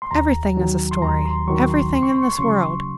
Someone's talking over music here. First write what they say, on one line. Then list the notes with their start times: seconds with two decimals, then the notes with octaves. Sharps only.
Everything is a story--everything in this world.
0.02 C6
0.11 D#2 A#5
0.57 D#3 F#3
0.91 C6
1.02 D#2 A#5
1.26 C6
1.48 D#3 F#3 C#6
1.70 C6
1.93 C#2 C6
2.03 C#6
2.12 C6
2.22 C#6
2.33 C6
2.38 C#3 F#3 C#6
2.52 C6